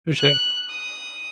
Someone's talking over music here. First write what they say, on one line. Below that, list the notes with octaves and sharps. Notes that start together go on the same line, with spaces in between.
For sure.
F#6
D#6